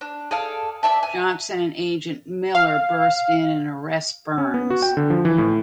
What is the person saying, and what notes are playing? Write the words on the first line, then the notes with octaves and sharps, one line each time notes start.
Johnson and Agent Miller burst in and arrest Burns.
D4
G#4 A4 D5 F5
D5 E5 A5
G#5
F5
C#4
B3
F#4
G5
D3
F3
E3
A2